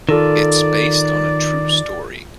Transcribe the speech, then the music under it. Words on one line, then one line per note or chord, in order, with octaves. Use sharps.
It's based on a true story.
D#3 F4 A4 D5 A#6